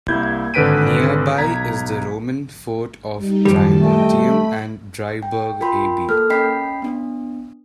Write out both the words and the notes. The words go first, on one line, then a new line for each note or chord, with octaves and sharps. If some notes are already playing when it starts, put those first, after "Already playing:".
Nearby is the Roman fort of "Trimontium", and Dryburgh Abbey.
C2 A#3 E4 G6 G#6
G#1 D3 B4 B6 D7 D#7
B1 A#5 G#6 B6
G3 D#4
F#2 D#3 F3 G3 A5
A3 D#5 G5
B5
G5
F4 A#4 G5 B5 C6
A#3 A4 A#4 F6
C#4 D#5 G5 B5 B6 C7
B3 D4